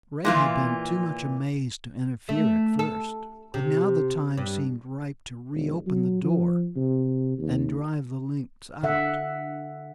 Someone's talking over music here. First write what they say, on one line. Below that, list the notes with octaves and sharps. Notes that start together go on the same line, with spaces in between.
Ray had been too much amazed to interfere at first, but now the time seemed ripe to reopen the door and drive the lynx out.
A#2 E3 F4
A3
A4
C3
G2
E1
F#3
F3
C3
D#2
D3 E5 F#5